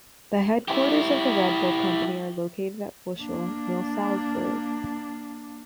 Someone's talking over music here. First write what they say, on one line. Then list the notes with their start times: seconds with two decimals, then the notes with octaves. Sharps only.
The headquarters of the Red Bull company are located at Fuschl near Salzburg.
0.68 E4 G4
3.19 A#3 D4